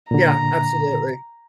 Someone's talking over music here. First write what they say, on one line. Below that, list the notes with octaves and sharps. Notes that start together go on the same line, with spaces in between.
Yeah, absolutely.
A#2 D3 A#5